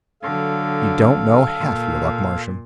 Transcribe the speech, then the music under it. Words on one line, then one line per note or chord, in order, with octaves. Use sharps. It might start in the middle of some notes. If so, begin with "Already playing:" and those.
You don't know half your luck, Marsham....
D3 F#3 A4 F5
A#2